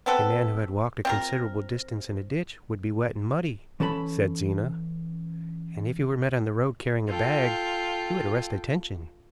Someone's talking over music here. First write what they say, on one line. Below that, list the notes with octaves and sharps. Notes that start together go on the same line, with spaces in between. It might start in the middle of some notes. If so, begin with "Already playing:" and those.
"A man who had walked a considerable distance in a ditch would be wet and muddy," said Zena, "and if he were met on the road carrying a bag he would arrest attention."
B3 C4 A4 B4
C4 F4 A#4
E3 C#4 A4 G5 B5
F4 A4 G5